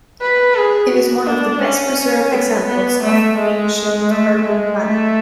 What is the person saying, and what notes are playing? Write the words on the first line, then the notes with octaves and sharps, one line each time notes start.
It is one of the best preserved examples of ancient urban planning.
B4
G#4
F#4
D4
C#4
B3
B3
A3
G#3
A3
G#3
A3